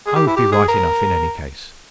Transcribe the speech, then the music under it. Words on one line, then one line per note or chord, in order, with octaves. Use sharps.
I would be right enough in any case . . .
G#4
G4
E4
G4
G#4
A#4